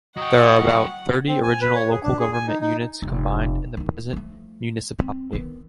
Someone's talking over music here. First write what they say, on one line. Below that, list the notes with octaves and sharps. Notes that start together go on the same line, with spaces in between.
There are about thirty original local government units combined in the present municipality.
F#3 D#5 F#5 G5 C#6
C4
G#5
B4
C#5
G#4
D4
G#4
G#5
D#4
D#4
F1
D#3 E4
F3 A3
C4
D#3 B3